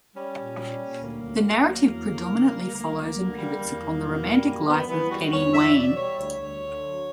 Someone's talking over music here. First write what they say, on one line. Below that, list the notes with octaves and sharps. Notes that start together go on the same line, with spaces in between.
The narrative predominantly follows and pivots upon the romantic life of Penny Wain.
G3 C#4
A#2
G3
A#2
D2 A#3
D2
D3
F#3
E2
E2
C#3
G3
D2 A#3
D2
D3
G3
E2 A#3
E2
B2
G3
F#2 A#3
F#2 B3
E3 B3
G3 F#4
E2 C#5
E2 E5
B2 D5
G3 C#5
D2 C#5
D2
D3
F#3